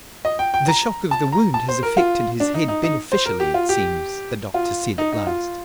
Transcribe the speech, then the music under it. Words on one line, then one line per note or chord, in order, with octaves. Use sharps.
"The shock of the wound has affected his head beneficially, it seems," the doctor said at last.
D#5
G5
G5
A#5
A5
A#5
A5
C5
A#4
F4
D4
D#4
D#4
D#4
C5
A#4
G4
F4
G4
F4
D#4
D#4
F4